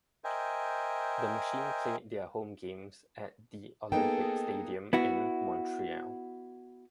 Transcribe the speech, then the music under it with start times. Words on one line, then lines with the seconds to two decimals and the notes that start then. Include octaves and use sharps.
The Machine played their home games at the Olympic Stadium in Montreal.
0.24 A#4 C5 D#5 E5 G5 G#5
3.92 A#3 B3 D#4 G#4 A4 G5
4.93 B3 E4 F#4